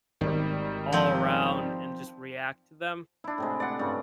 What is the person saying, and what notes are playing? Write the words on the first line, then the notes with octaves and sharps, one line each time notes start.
from all around and just react to them.
G#1 D#3 G3
F3 C4
D4 E4
A2 C3 G#3
D5 F#5
G2 C#3 C#5